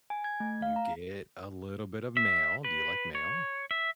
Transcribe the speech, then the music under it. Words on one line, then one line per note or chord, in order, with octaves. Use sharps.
You get a little bit of mayo. Do you like mayo?
G#5
G#6
A3
F5
A#5
E5
B4
C#5
E5